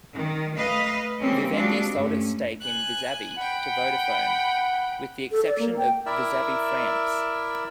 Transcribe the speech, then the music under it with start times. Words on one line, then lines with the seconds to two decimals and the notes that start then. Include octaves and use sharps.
Vivendi sold its stake in Vizzavi to Vodafone, with the exception of Vizzavi France.
0.13 D#3
0.55 A3 B4 D#5 F5
1.20 E3 G3 G#3 A#3 C4 C#4
1.53 G3 G#3 C4 D4 F4 F#4
1.95 G2 A3 C#4
2.61 G#5 F#6
3.37 F#5 G5 B5
5.31 A4
5.46 D5
5.59 A#3
5.77 G5
6.06 E4 A#4 D5 E5 E6